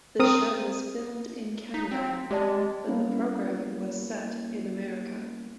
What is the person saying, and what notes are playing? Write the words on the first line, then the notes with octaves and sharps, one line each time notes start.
The show was filmed in Canada, but the program was set in America.
C4 A#4 D#6
D#4 B6
C4
G#3 G4 D5 A5
G3 A#3 B3 C#4 E4